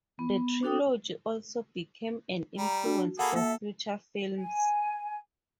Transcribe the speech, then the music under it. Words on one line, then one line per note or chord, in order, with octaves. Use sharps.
The trilogy also became an influence for future films.
B3
D4 F#4 A4 G5 D#6
G3 A#5
D4 F#4
A#3 G#4 A4 F#5 B5
A#3 A4 E5
G#5